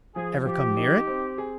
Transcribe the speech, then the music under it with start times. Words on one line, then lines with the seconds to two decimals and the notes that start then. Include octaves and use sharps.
"Ever come near it?"
0.15 F3 G#4
0.45 F3 G4
0.77 D#4
1.07 C4
1.38 G#4